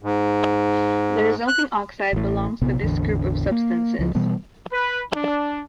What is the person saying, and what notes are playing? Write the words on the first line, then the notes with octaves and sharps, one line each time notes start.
The resulting oxide belongs to this group of substances.
G#2
F#6
A1 A2
A#1 C3 B3
A1 E2 D3
A#3
C#2 F3
B2 E3 G3 B3
B4
D4